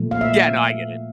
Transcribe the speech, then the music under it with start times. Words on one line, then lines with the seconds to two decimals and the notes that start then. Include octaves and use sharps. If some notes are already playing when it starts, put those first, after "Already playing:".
Yeah, no, I get it.
Already playing: A#2 F3 A3
0.11 F5
0.21 E5